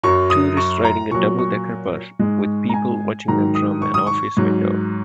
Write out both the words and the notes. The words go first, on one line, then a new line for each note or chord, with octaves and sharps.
Tourists riding a double decker bus with people watching them from an office window.
F#2 F#3 C#6
D#6
C#6
A#5
A#2 F#3 C#6
C#6
G#2 G#3
A#5
G#5
G#2 D#3 F#3 A#5
D#6
C#6
D#6
C#6
G#2 F#3